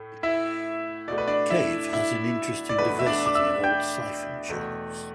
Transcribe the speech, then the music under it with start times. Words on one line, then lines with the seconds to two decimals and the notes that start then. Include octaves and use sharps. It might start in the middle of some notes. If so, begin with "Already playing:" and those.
Cave has an interesting diversity of old siphon channels.
Already playing: A2 A3
0.23 E4 E5
1.08 B2 A3 D5
1.18 B4
1.27 D4 D5
1.50 E4 E5
1.93 E4 E5
2.69 D5
2.78 E2 B2 A3 B4
2.99 E5
3.06 D4 D5
3.26 D6
3.35 E5 E6
3.64 G5 G6
4.49 E2 B2 A3